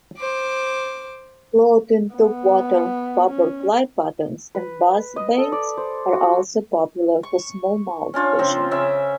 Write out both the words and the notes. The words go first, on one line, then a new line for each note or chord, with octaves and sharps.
Floating topwater popper fly patterns and buzz baits are also popular for smallmouth fishing.
C5 D6
B3
C#4
B4
D#5
A4
D5
C5
F#4
C#6
C#4 D4 F4 C#5
C#3 F3 C4
C#3 C#4 E5